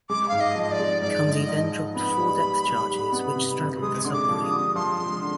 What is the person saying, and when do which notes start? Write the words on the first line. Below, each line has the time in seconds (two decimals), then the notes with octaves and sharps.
Cundy then dropped four depth charges which straddled the submarine.
0.09 G#3 D6
0.29 G#2 F5
0.40 D#5
0.55 F3
0.63 D#5
0.72 D5
0.79 G#3
1.02 G#2 D5
1.26 G#2 D5
1.33 D#5
1.49 G#2
1.72 F3
1.95 B3 B5
2.19 G3
2.43 G3
2.66 G3
2.89 G3
3.12 B3
3.36 C3
3.59 C3
3.82 G#3 D#6
4.05 D3 C6
4.13 D6
4.29 F3
4.37 D6
4.44 D#6
4.52 D3
4.75 F3 C6
4.99 G#3
5.22 D3